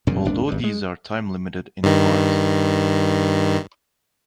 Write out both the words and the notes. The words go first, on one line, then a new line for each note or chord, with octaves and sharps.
Although these are time limited in part.
E1 F#2 A#2 C#3
D#1 G#1 D4
G#1 G2
G#3
G2 D#3